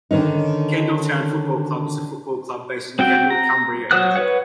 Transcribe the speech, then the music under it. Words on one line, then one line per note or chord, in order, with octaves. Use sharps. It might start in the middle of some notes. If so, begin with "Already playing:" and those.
Kendal Town Football Club is a football club based in Kendal, Cumbria, England.
D3 D#3 C#4 D#4
C4 F#4 G5
A#5
F#3 C5 F#5 D#6 F#6
B4 C#5 F#5